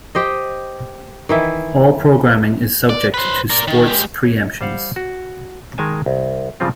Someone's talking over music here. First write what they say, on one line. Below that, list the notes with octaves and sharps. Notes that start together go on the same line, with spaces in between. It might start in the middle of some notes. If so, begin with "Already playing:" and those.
All programming is subject to sports pre-emptions.
G4 C5 D#5
D#3 E3 E4
D5
B4 C5
A#4 D5
D#3
G#3 G4
C#5
G3 C5 F5 F#5
F#4
D#3 G#3 A#4 G#5 A5
C2
G2 C#3 F3 G3 C4 F4